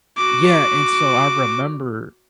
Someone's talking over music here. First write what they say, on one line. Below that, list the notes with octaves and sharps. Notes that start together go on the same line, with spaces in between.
yeah, and so, I remember
F#4 D6